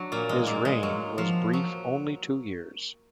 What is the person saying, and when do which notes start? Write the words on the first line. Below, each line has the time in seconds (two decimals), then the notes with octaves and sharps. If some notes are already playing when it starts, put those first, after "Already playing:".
His reign was brief-only two years.
Already playing: F#3 D4
0.12 A#2 A#3
0.29 G#3
0.47 A#2 A#3
0.65 G#3
0.83 F#3
1.18 F3
1.53 F#3